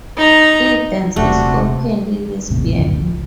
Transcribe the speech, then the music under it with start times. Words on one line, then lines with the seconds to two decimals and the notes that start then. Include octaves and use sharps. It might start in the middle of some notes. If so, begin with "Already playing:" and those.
Evans is openly lesbian.
0.17 D#4 A#5
1.16 D#1 C3 A3 C#4 D4 F#4
2.50 G#1 D#2 A2 C3
2.78 F#1 D2 A2 C#3
3.00 C#2 F3